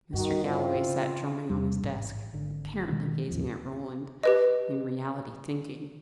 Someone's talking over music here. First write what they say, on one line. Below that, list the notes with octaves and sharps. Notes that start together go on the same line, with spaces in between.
Mr. Galloway sat drumming on his desk, apparently gazing at Roland; in reality thinking.
G2 D#3 F#4
C4 E4 F4
C#3
E2 C3 G3 D4
A1 G#2
G#1 D3
B2 D#3 G#3
A1 D#2 F3
G4 B4 D#5